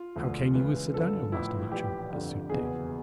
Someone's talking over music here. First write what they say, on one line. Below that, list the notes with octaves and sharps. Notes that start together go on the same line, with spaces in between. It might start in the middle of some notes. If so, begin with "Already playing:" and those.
"And how came ye with Sir Daniel, Master Matcham?" pursued Dick.
Already playing: F4
E1 D2 D3 F3
C#2 C#3 E3
G1 F#2 D3 F3 A4
A1 A2 F3 E4
A#1 A2 E3 G4
G1 F2 D3
F#1 E2 B2 G#4